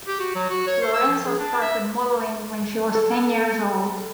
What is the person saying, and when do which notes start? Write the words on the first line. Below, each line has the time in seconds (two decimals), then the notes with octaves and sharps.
Lorenzo started modeling when she was ten years old.
0.07 G4
0.20 F#4
0.36 F#3
0.50 F#4
0.67 C#5
0.82 C5
0.94 E6
1.09 F3
1.25 G#4
1.39 D4
1.62 E5
2.95 A4